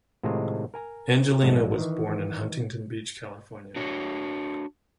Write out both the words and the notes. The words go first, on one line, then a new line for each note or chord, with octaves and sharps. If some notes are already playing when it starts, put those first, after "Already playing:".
Angelina was born in Huntington Beach, California.
A2 C3 D#3 G#3 D#4 F4
A#4 G#5 A#5
A#1 G#2 F#3 G#3 A3
D#3 E3
D4 F#4 C#5